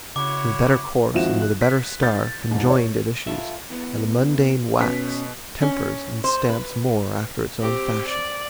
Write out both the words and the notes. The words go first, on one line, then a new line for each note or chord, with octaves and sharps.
With better course and with a better star Conjoined it issues, and the mundane wax Tempers and stamps more after its own fashion.
C#3 E4 F#4 C#5 D6
G#1 F3 C4 E4 F#4 E7
F#6
B6
F6 G6 A6
E1 G#2
C#5
F4 A4 E5
E2 B3
B2 C#4 B6
C#4
C5
B4
C4 G4
D5